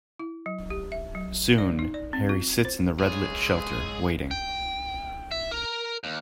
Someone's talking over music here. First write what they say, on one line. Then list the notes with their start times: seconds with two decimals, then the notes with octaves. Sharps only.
Soon, Harry sits in the red lit shelter, waiting.
0.19 E4
0.46 F#3
0.70 G4
0.92 E5
1.15 F#3
1.58 D5
1.79 D#4
1.94 D5
2.13 C4
2.29 F4
2.65 C5
3.00 G#3 G#4 C#5
4.31 G5
5.31 E5
5.51 A#4 A#5
6.04 D#2